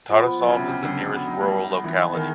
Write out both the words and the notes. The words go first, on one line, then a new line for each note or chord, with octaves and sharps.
Tarasov is the nearest rural locality.
F3 B3
B4
F#3 B3
C#3
D4
C3
C#3 G4
D3 G4
F#3 D4
B3
F#3 D#4
G3 G#4
D#4
B3
E3 B3
G#4
D#3 G#4